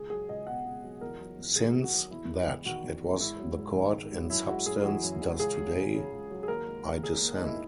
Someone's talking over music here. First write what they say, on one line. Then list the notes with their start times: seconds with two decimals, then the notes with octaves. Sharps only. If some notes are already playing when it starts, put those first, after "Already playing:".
Since that is what the Court in substance does today, I dissent.
Already playing: C#2 G#4
0.10 F#3 G#4
0.29 C#2 D#5
0.47 B2 F#5
0.65 C#2
0.83 F#3
1.01 E2 A#4
1.19 F#3
1.38 E2
1.56 D#3 G#4
1.74 E2
1.83 F#4
1.93 F#3
2.11 E2 E4
2.29 G#3
2.47 E2
2.66 D#3 F#4
2.84 E2
3.02 G#3
3.20 G#2 E4
3.39 F#3
3.57 G#2
3.75 D#3
3.94 G#2
4.11 F#3
4.30 F#2 E4
4.48 G#3 F#4
4.66 F#2 G#4
4.84 E3 F#4
5.03 F#2
5.22 G#3
5.39 C#2 G#4
5.57 F#3
5.75 C#2
5.94 C#3
6.12 C#2
6.31 F#3
6.43 G#4
6.48 D#2 A#4
6.67 G#3
6.85 D#2
7.03 C#3 G#4
7.21 D#2
7.34 D#4
7.40 G#3
7.45 E4